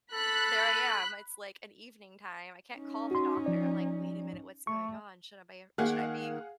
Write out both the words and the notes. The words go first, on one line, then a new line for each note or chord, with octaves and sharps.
there I am, it's, like, an evening time, I can't call the doctor, I'm like, "Wait a minute, what's going on? Should I be should I be"
A4 B5 F#6 B6
C#4 D#4
F#4 C6
F3 D5
A3 C#6
D#3 A#3 G#4 F5 F#5